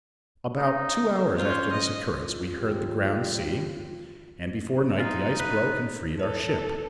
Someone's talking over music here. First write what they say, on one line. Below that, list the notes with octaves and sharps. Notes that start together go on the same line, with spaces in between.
About two hours after this occurrence we heard the ground sea, and before night the ice broke and freed our ship.
D#4
C#4 F4 C5
D#5
F4
D#2 F3 G4
G#3 D#4 F4
B4
A4 B4 C#5